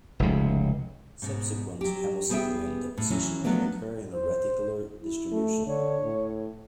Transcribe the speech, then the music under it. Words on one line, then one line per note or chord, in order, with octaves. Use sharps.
Subsequent hemosiderin deposition can occur in a reticular distribution.
F1 C#2
G#2 B2
F#3 G4
G3 B3 G#4 A#4 E5 G5
A2
E3 F#3 C#4
F3 F#3 A3 B3 D4
C5
E4
A3
D3 C#5
A2